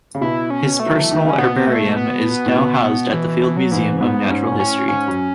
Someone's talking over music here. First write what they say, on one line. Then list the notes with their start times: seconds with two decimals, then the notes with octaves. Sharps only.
His personal herbarium is now housed at the Field Museum of Natural History.
0.15 C#3
0.21 B2 E4
0.50 C#4
0.80 A3
0.86 F#3
0.99 E3
1.11 D#3
1.25 C#3 C#4
1.38 B2 B3
1.67 A3
1.96 B3
2.46 A2
2.56 B2
3.13 E3
3.28 E3
3.43 E3
3.57 F#3
3.71 G#2 E3
4.01 G#2 B3
4.30 G#2 C#4
4.52 G#2
4.59 A2 C#4
4.88 G#2 C#4
5.08 F#2